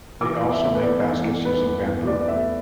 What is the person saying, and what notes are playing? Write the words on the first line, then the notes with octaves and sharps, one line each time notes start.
They also make baskets using bamboo.
E3 D6
E2
E5
A3
B4
E2 D5
E3
E2
A3 B4
E2
E3
E2 D5
D5
A3 E5